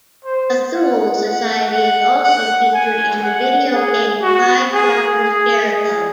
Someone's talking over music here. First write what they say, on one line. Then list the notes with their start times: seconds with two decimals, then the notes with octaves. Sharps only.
The Thule Society is also featured in the video game "Clive Barker's Jericho".
0.25 C5
0.74 F#5
1.23 F#5
1.74 F#5
2.24 F#5
2.74 G#5
3.23 F#5
3.73 G#4
4.22 F#4
4.73 G#4
5.22 G#4
5.72 G#4